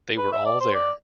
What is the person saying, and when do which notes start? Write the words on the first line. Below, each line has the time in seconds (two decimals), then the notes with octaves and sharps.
They were all there.
0.18 B4
0.32 E5
0.46 D5
0.61 C5
0.74 D5